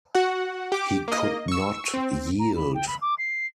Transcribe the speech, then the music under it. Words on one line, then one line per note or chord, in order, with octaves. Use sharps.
He could not yield.
F#4 F#5
G4 D6
A#3 D#5
C#6 E6
C4
A#5
B5
G5
B5
D6
C7